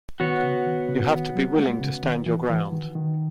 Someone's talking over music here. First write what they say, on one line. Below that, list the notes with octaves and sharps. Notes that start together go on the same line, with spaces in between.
You have to be willing to stand your ground.
D#3 B3 F#4 C#5
C#3
D#3
C#3
D#3
F#3
G#3
C#3
D#3
E3
E3
D#3
D#3